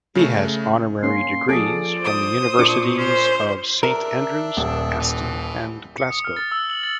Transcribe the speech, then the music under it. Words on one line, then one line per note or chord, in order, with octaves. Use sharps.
He has Honorary degrees from the Universities of Saint Andrews, Aston and Glasgow.
C#3 A3
A#3 C#4 C6
F3 G#4 A4 D5
C5 D#6
A#2 D4 C#6
C#4 C5
D4 A#4 E5
D#1
E3 F3
C#7
D#6
F6
A6
E6
F#7
A6